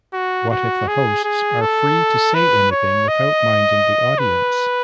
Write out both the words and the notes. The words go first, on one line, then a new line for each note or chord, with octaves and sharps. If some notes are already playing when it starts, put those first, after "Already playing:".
What if the hosts are free to say anything without minding the audience?
F#4
F#4
G#4
G#4
A4
B4
C#5
D#5
B4